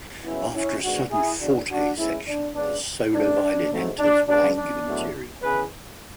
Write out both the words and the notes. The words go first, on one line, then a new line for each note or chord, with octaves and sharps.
After a sudden forte section, the solo violin enters with angular material.
C#3 F#3 B3 C#4 E4
C#4 E4
G#2 G#3 B3 D4 F#4
E4 G#4
E2 D3 G#3 B3 D4 F#4
D4 F#4
A2 G#3 B3 C#4 E4
D4
C#3 G#3 B3 D4
E2 D3 F#3 A3 D4
G#2 F#3 A3
D4
C#3 G#3 B3 D4
D4
E2 B2 F#3 A3
E2 C#3 E3 G#4 B4